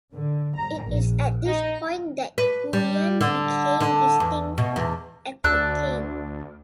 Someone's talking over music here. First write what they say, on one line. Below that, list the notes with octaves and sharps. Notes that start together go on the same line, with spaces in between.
It is at this point that Guyenne became distinct from Aquitaine.
D3
A#5
A#1
D#4
B4
G3
D3
D3
E2
B2
E2
D2 D4 E6 F#6